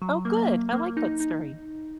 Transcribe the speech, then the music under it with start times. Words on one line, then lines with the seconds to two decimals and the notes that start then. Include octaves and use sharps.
Oh, good. I like that story.
0.02 F#3
0.25 A#3
0.49 A#3
0.73 A#3
0.97 D#4
1.20 D#4